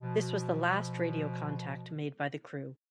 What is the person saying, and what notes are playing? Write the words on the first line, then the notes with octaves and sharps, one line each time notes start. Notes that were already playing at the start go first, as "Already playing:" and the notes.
This was the last radio contact made by the crew.
B2 F3